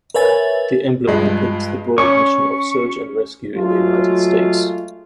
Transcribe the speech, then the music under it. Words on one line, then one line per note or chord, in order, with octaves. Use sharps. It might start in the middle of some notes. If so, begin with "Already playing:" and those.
The emblem depicts the broad mission of search and rescue in the United States.
A#4 B4 C#5 E5 G#5 A6
G2 F3 G#3
C#4 C#6
F#3 G#3 A3 F4